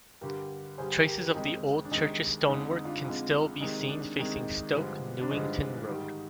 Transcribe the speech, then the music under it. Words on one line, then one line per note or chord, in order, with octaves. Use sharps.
Traces of the old church's stonework can still be seen facing Stoke Newington Road.
G2 D3 G3 G4 A#4
G2 D3 G3 G#4 C5
G4 A#4
F2 C3 D#3 G#3 D#4 G4
D4
F2 C3 D#3 G#3 D#4
F2 D3 G#3 D#4
D#4
D4 F4
F2 D3 G#3
C3 D#3 G#3 D#4
D4
C3 D#3 G#3
G2 D3 F3 G#3
D4
G2 D3 F3 G#3 D#4
G#2 D#3 G3